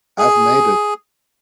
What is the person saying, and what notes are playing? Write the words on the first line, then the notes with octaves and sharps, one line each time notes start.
I've made it.
G#4